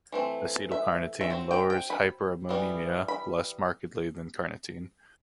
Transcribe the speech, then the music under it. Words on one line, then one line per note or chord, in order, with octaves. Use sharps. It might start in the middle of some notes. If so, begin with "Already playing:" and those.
Acetyl--carnitine lowers hyperammonemia less markedly than -carnitine.
E3 A3 C4
E5
E5
F#3 C4
G5
G5
B5
E3 G3 B3
B5